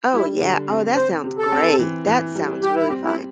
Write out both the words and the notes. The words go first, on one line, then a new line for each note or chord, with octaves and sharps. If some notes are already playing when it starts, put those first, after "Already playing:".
Oh, yeah, oh, that sounds great. That sounds really fun.
G3 E4
D3
C4
C4 C5
C3
A4
C4
E3
E3
G3
G3 G4
E4
C4 G4
E4